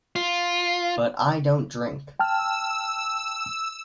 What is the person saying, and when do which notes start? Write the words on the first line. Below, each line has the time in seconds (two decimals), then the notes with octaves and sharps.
But I don't drink.
0.16 F4
2.19 G5 A5 E6 F6